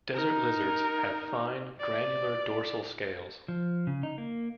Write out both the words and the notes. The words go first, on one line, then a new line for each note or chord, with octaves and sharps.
Desert lizards have fine, granular dorsal scales.
D#4 A#4
D5
F3
C#3
D#4
A#3